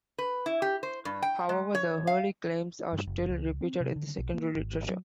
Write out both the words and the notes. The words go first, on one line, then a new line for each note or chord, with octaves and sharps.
However, the early claims are still repeated in the secondary literature.
B4
E4
G4
C5
G2
G5
G#3
C#5
F5
G2
F#1
C#2
C4
C3
D3
B1
A#3
G#1
F#3